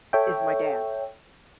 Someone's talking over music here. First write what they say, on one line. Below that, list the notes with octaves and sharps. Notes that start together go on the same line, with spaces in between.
is my dad.
A4 C#5 E5 G5